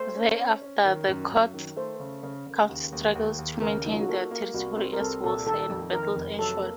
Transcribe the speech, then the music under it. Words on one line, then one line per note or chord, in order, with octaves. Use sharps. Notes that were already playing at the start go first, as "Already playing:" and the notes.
Thereafter, the Counts struggled to maintain their territory as wars and battles ensued.
Already playing: A3 C5
C#4
C#4
C#4
D#3
F#2
F#2
D#3
A3 C5
C#3
C#3
C#3
D#2
D#2
D#2
D#2
C#3 A#4
F#3 D#4
F4
F#4
A#3 A4
A#3
C2 F#4
C4 A#4
A#4
C2 A4
A#2 A4
D#3 A4
F2
D#3 A#4
F1
F#3 A4
A#3